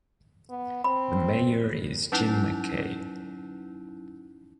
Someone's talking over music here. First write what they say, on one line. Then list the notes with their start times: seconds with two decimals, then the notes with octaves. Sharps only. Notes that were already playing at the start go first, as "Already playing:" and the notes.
The mayor is Jim McKay.
0.49 B3
0.84 C4 B5
2.12 F#3 C#4 D#4 E4